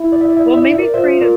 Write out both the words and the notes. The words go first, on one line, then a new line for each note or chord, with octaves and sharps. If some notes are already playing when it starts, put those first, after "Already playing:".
Well, maybe create a
Already playing: E4
D5
E5
D5
E5
D5
E5
D5
E5
A#4 D5
F4 C5 E5
A#4 D5